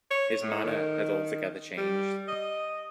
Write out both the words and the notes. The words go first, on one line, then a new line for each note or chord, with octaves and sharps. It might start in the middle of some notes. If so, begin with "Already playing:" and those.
His manner had altogether changed.
C#5
A2
D#3
G3
D#5